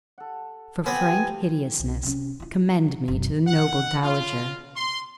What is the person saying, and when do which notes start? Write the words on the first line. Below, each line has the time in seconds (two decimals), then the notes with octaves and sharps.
For frank hideousness, commend me to the noble dowager.
0.18 A4 F#5
0.86 B3 C4 G4 G5 G#5
1.79 C2
2.03 C3 C#4
2.40 E4 F4
3.08 F#1 B1
3.46 F#5
4.03 F4
4.76 C6